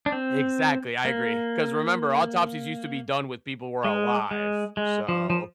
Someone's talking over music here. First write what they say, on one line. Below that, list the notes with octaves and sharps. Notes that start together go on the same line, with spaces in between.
Exactly. I agree, 'cause remember, autopsies used to be done when people were alive. So
D4
C4
A#3
G#3
G#3
G#3
F3
F3